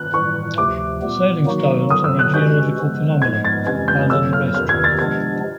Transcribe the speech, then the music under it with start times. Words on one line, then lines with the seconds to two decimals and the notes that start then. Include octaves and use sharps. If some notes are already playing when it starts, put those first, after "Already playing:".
The sailing stones are a geological phenomenon found in the Racetrack.
Already playing: F#6
0.13 A2 E3 G3 C#6
0.58 D2 C3 F3 A3 D6
1.02 A#2 G3 B3
1.46 D#3 F#3 A#3 D#4 F#4
1.90 D3 F#3 B3 D#6
2.04 E6
2.19 F#6
2.34 C3 E3 G#3 C#4 F#4 G6
2.78 C#3 F3 G#3 B3
3.22 G#2 F3 G#3 B3 G#6
3.45 A6
3.66 F2 C3 E3 G#3 C#4 G#6
3.88 G6
4.10 F#2 D3 F#3 A#3 E6
4.33 F6
4.54 E2 C3 D#3 F6
4.69 G#6
4.84 A6
4.99 C3 F3 G#3 B3 D4 G#6